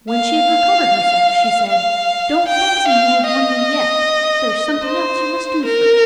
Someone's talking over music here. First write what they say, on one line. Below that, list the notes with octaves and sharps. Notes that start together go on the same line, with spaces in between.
When she had recovered herself she said, 'Don't fancy you have won me yet, there is something else you must do first.
F5
F5
G5
F5
D#5
C5
A#4